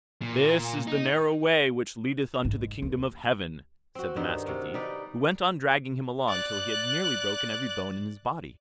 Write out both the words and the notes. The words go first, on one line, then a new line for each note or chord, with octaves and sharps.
'This is the narrow way which leadeth unto the kingdom of heaven', said the Master Thief, who went on dragging him along till he had nearly broken every bone in his body.
A#2
D#4
G#2
D#2
C4 F#4
G2 D#3 C4 D#4
C3 F#4 A#4
G3 D#4 B4 D5
D5 F#6